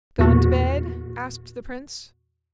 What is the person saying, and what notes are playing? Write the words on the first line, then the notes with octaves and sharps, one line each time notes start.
"Gone to bed?" asked the prince.
E2 A#2 F#4